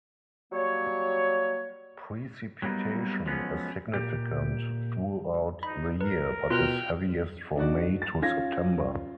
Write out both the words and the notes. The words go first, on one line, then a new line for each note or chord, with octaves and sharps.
Precipitation is significant throughout the year, but is heaviest from May to September.
F#3 G3 A#3 C#5
F#3 G3 A#3 B3 D#4
F3 F#3 G#3 B3 C#4
A#2 G4
D#4 B5
A#4 B4
B2 F4 G5 C6 F6 F#6
D4 D#4 F#4 D5
A6
C#4 F4 G#6 A#6